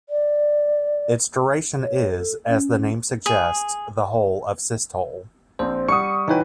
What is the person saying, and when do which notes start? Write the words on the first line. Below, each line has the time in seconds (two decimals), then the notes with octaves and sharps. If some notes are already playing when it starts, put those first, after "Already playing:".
Its duration is, as the name suggests, the whole of systole.
0.09 D5
1.83 C#5
2.11 A4
2.49 C#4
3.26 G#4
5.59 A#1 C4 C5
5.89 G3 F#5 C#6 D#6 C#7
6.28 E3 D#4 F#4 B4 C#5 G5